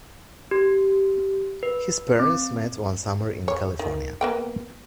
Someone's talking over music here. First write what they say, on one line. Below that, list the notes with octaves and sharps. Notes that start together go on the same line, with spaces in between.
His parents met one summer in California.
G4
B4
C4
C#5
D#3
A#3 B3 G5